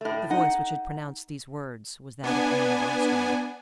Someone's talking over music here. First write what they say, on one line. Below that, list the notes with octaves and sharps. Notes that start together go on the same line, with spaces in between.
The voice which had pronounced these words was that of Anne of Austria.
A2 A3
D#4 F#5
B3 D4 G#5